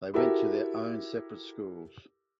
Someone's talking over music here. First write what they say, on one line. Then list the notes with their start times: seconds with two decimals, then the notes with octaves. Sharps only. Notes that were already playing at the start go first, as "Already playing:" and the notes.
They went to their own separate schools.
0.14 E4 F#4 G4 A4 A#4 E5